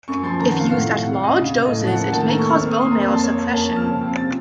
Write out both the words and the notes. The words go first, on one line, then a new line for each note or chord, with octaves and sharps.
If used at large doses it may cause bone marrow suppression.
F#2 C#6
F3 C6
D#3 A#5
F#5
C3 F5
A2 F5
A2
F5
C3 F#5
F5
C3
D#5
C#3
C#3
A2 D#5
F3
F#5
A#3
D#3 A5
A3 A#5
C#6
C4
F6
A#3 F6
D#6
A#3 C6
F2 A#5
C6
F2
A5
A#3 C#5
A#3
C#4 A5
A5
F3
F6
C#3
C4
C3 A6